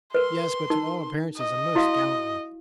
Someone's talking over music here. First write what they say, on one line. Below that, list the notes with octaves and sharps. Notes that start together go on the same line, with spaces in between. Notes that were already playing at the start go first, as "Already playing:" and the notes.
"Yes, but to all appearances a most gallant one."
A#4 B4 C6
D#4 A#4
D#5
E4 F#4 F5